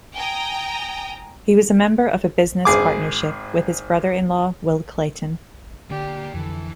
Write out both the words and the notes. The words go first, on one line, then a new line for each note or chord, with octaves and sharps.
He was a member of a business partnership with his brother-in-law Will Clayton.
G5 G#5 A#5 D#6
G#1 G#4 D6
D3 A#3 G4 D5
F2 D3 E3 A4